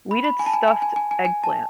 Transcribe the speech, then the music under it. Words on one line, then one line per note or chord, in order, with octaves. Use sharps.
We did stuffed eggplant.
B5
B5
G#5
A5
G#5
G#5
G#5
G#5
G#5
G#5
A5